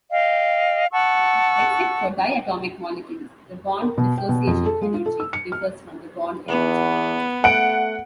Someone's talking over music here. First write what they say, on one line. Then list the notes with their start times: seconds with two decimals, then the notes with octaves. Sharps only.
Except for diatomic molecules, the bond-dissociation energy differs from the bond energy.
0.11 D#5 F5 G5
0.92 F#5 A5 C#6 E6
3.82 A#4
3.98 B2
4.18 G5
4.29 B2
4.47 F2
4.66 A4
4.81 G#3
4.94 F4
5.06 A4
5.20 E6
5.33 C#7
5.52 F6
6.48 E2 B3
7.44 A3 F#5 D7